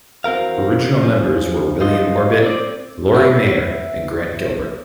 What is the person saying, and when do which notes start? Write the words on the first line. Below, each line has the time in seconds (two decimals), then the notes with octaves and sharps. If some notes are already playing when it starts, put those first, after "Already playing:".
Original members were William Orbit, Laurie Mayer and Grant Gilbert.
0.24 E2 C4 F#4 A#4 F5
1.01 F#2 F3
1.81 D#4 F4 D#5
2.42 C4 D5
3.14 B3 E5